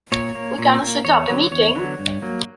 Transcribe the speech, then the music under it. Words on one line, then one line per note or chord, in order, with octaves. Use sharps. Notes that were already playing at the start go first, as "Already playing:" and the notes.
We can set up a meeting?
A#2 C#5
A#3
A#2
A#3
E2 C#5
D3 F#3 B3
E2 C#5
D3 F#3 B3
G2
F#3 A#3